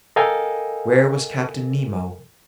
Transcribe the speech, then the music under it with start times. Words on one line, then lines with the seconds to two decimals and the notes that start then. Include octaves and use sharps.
Where was Captain Nemo?
0.16 A4 A#4 D#5 F5 G5 G#5